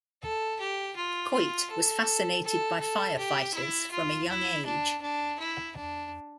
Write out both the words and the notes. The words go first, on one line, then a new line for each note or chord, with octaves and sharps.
Coit was fascinated by firefighters from a young age.
A4
G4
F4
F4
A4
A4
A4
G4
E4
F4
E4
D4
D4
E4
D4